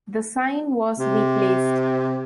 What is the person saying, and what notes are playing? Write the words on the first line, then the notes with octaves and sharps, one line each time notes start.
The sign was replaced.
C3